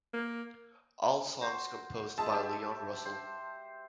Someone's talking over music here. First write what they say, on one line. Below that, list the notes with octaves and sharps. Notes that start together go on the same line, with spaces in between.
All songs composed by Leon Russell.
A#3
F#4 C5
G#3 G#4 E5 A5
G4 E5
C5